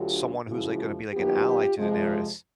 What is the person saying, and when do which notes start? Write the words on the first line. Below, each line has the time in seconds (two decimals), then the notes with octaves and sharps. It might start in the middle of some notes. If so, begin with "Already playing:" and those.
someone who's, like, gonna be, like, an ally to Daenerys,
Already playing: D2 D3 F#3 F4 G4
0.48 F#2 C#3 F3 G#3 E4 F#4
1.12 D#2 D#3 F#3 B3 F4 G4
1.77 F2 C3 F3 G#3